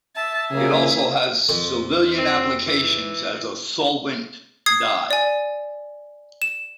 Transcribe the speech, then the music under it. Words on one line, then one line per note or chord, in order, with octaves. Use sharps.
It also has civilian applications as a solvent dye.
E5 A5
C#3 A#3 G#4
F2
C4
E3
D#6 G#6 C7
D5 G#5
E7